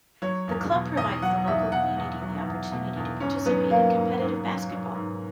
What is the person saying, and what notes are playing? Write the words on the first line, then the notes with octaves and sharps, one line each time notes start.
The club provides the local community the opportunity to participate in competitive basketball.
F#3 C#5
E2
B2
E2 D#5
F#3 F#5
E2 E5
B2 F#5
E2
F#3
E2
B2
E2
G#2 C#4
F#3 B3
F#3 A#3
G#2
G#2
F#3
F#3
G#2